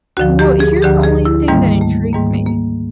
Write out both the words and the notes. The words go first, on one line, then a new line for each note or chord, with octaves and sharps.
Well, here's the only thing that intrigues me
D2 D3 F3 F#4
G4
G#4
D2 D3 F3 G4
G#4
E4
G#2 D#3 G3 A#3
A3
G#2 D#3 G3 A#3
A#3